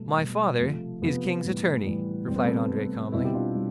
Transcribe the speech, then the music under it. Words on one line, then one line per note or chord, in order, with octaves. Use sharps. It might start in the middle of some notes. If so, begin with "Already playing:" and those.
"My father is king's attorney," replied Andrea calmly.
Already playing: B2 G3 A3
B2 G3
C3 F3 A3
C3 F3 B3
A2 E3 G3
A2 E3 G3
C3 G3 C4
B3
A3 C4
C3 G3
B2 G3 C4 E4
G4
D4 F4
G3